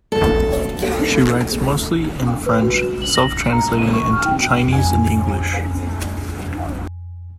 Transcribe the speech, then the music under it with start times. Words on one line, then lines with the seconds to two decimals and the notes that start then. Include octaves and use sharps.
She writes mostly in French, self translating into Chinese and English.
0.12 A#1 B2 F#3 A4
2.46 B4
2.62 F#4
2.82 E7
3.02 F#7
3.16 A#6
3.38 C#7
3.53 A#5
3.79 D#7
3.93 C#6
4.13 F6
4.26 G5
4.68 F2 G#5